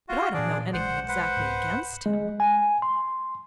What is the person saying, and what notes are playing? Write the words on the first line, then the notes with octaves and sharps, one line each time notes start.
"But I don't know anything exactly against him."
F4 F#4
A#2 E3 D4 G#4 D5
B1 E3 G#3 C5 F#5
B4 C5 F#5
C2 G#2
G#3
G#5
C6